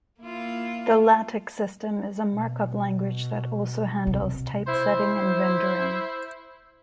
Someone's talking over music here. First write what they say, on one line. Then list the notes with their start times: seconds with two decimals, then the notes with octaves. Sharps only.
The LaTeX system is a markup language that also handles typesetting and rendering.
0.21 A#3 E4 F4
2.32 B2
4.07 C3
4.67 E4 C5